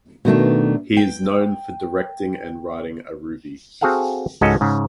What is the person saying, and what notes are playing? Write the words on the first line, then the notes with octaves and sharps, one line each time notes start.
He is known for directing and writing "Aruvi".
B2 D#3 A3 D4
G5
C4 F#4 G#4 A4 F5 F#5
C#2 G#2 C#4 F#4 A4 D#5
G#2 C#3